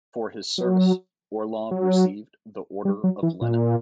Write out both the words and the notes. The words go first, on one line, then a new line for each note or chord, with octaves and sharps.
For his service, Orlov received the Order of Lenin.
F#3
F#3
G3
F#3
E3
A#2